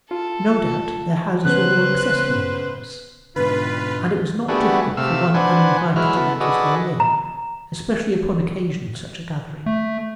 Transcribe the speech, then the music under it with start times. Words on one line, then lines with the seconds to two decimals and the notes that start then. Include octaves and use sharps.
No doubt their houses were more accessible than ours, and it was not difficult for one uninvited to make his way in, especially upon occasion of such a gathering.
0.11 F4 A4
1.44 C#3 B3 C#4 B4 C5 F#6
3.36 G#2 B2 D3 F4 B4
4.48 G3 A3 B3 D4 F#4 G#4
4.97 C3 A3 F5 E6
5.34 D4 B4 C5 F#5 G#5
5.96 E3 F#3 G#3 E4 B4 F6
6.16 B3 A4
6.40 F#4 G#4 A4 B4 D5 D#5
7.00 A#5
9.66 A3